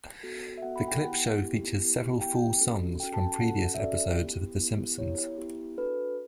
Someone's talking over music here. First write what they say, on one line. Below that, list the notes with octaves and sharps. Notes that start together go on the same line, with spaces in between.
The clip show features several full songs from previous episodes of "The Simpsons".
B3 F#4 A4
E5
B3 F#4 A4 F#5
B5
G5
B3 E4 G4 F#5
B3 E4 G4
B3 E4 G4
B3 E4 G4 G5
C#4 F#4 A4
C#4 F#4 A4 G5
A5
A5
C#4 F#4 A4 F#5
E5
C#4 F#4 A4 D5
B3 E4 G4
B3 E4 G4
B3 E4 G4 C#5
B3 E4 G4
D4 F#4 A4 B4